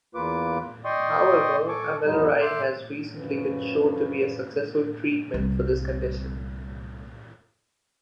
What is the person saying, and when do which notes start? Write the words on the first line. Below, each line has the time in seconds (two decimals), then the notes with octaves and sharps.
However, amiloride has recently been shown to be a successful treatment for this condition.
0.15 E2 A#3 F4 B4 D6
0.85 D5 D#5 G5 C6 C#6 D#6
1.68 A4 G#5 C#6 D6
2.05 E2 G#2 F#3 G#3 B3 D#4
2.42 E5 C6 D6 F#6 G6
3.19 F#2 F3 C#4 B4
5.34 C2 G3